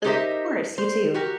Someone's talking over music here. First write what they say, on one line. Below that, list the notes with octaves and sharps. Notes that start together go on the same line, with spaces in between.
Of course, you too.
D#4 G4 A#4 C5 D#5 E5
C5
F#4 G4 A#4